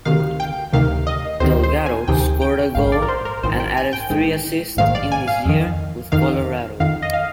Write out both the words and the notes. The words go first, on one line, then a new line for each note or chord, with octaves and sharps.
Delgado scored a goal and added three assists in his year with Colorado.
D2 C3 D#3 F5
G5
D2 C3 D#3 F5
D#5
D2 C3 D#3 C5
C5
G#5
D2 C3 D#3 G5
G5
A#1 G#2 D#3 F5
D5
A#4
C5
A#4
A#1 G#2 D#3 C5
G5
G#5
G5
A#1 G#2 D#3
A#1 G#2 D#3 F5
D5
G#5
F5
F2 D#3
F2 D#3 F5
F2 D#3 F5
D#5
F5